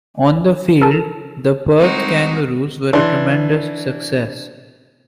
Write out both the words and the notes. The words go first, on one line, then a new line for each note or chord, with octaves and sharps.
On the field, the Perth Kangaroos were a tremendous success.
A4 A#4
G3 G#3 C4 D#4 F#4 G#4
E3 D4 C6